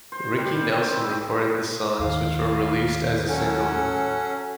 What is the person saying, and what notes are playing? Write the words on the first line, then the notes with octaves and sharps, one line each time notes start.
Ricky Nelson recorded the songs which were released as a single.
C5
G3
G5
C4
D#2 D#3 F5
F#3 C#4 A4 F#5